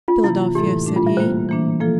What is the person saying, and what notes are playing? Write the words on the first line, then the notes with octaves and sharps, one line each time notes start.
"Philadelphia," said he.
F4
C3 E3 A#3 E4
A2 E3 A3 E4 G4 A4
A#2 A3 D4
F4
E5
G3 A#3 F4 C5
E3 A#3 D4
F3 A#3 F4 A4